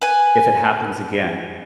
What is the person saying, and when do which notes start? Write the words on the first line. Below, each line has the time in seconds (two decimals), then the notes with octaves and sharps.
if it happens again,
0.02 B4 G#5